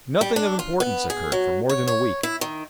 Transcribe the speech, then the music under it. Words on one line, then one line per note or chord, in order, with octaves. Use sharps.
Nothing of importance occurred for more than a week.
G3
D4
F4
B3
G#4
F#3
C#5
C#5
E4
D#3